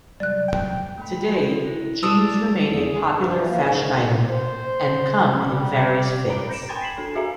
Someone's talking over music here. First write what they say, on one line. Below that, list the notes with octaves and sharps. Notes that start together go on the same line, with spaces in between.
Today, jeans remain a popular fashion item and come in various fits.
C3 F#3 G3 D5 F#6
G5
A3 G5 B5
F#4 A4 C#5
E4
D4 D#6 E6
E2
G#4
G2
E3
A#3
G#2
C3
C5
G3
A#4 A#5 B5 D6 D7
G6 A#6 C#7 D7 E7
G5 G#5 B5 C6 G#6 A6
B6 C7 E7 F#7
D4 A4 G#6
F#4 G#4 E5 F5 G#5 A#5